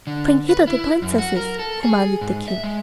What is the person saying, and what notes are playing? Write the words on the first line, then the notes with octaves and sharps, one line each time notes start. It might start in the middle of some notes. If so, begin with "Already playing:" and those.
"Bring hither the princesses," commanded the King.
D3
B4
E4
F#2
F#4
A#4
A4
G#4
G#2
E5
G#3